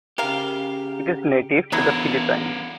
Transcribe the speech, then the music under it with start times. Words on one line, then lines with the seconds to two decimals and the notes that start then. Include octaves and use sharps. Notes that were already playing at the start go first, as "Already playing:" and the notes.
It is native to The Philippines.
0.18 C#3 G4 A#4 F5
1.72 E2 D3 F#3 B3 E4 A#4